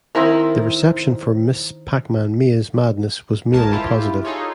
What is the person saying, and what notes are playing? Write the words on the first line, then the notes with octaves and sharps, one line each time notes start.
The reception for Ms. Pac-Man Maze Madness was mainly positive.
D#3 C4 E4 A#4
G1 C#2 G#2 A#4 G#5 A5
E4 F4 G4
D#4 F4 G#4 A4 C#5